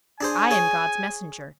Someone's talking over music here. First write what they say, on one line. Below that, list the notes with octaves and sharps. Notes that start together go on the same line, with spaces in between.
I am God's messenger.
D4 G#4 C5 G#5
G#4 C#5